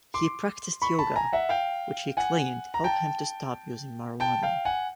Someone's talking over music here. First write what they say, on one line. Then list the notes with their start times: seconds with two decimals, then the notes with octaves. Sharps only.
He practiced yoga, which, he claimed, helped him to stop using marijuana.
0.14 C6 D6
0.82 B5 C#6
0.99 A5 B5
1.16 G#5 A#5
1.33 E5 F#5
1.49 F5 G5
2.17 F#5 G#5
2.74 A#5
2.84 G5 A5
4.20 G5 A5
4.43 F5 G5
4.65 F#5 G#5